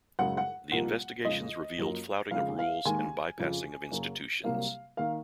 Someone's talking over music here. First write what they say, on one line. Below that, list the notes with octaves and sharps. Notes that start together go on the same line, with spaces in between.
The investigations revealed flouting of rules and bypassing of institutions.
F#2 C#3 G#3 F#5
F#5
C2 A#2 F3 A#3 F#5
F2 C#3 G#3 D#5
F#2 F3 A#3
F2 C#3 G#3 F5
F5
D#2 D#3 G#3 G#5
F2 C#3 F3
F#2 C#3 F#3 A#3
C2 C3 F#3 A#3 F5
D#3 A#3 F5